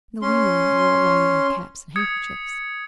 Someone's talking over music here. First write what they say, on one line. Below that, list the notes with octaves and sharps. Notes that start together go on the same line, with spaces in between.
The women wore long-eared caps and handkerchiefs.
C#4 C6
D#6 G#6 C#7